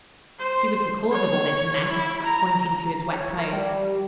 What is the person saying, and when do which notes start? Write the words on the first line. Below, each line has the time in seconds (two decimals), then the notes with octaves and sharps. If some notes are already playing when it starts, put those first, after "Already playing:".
"She was the cause of all this mess," pointing to his wet clothes.
0.39 C5
1.11 C#5
1.90 E4
2.22 A#5
3.13 C#5
3.37 A#4
3.52 G3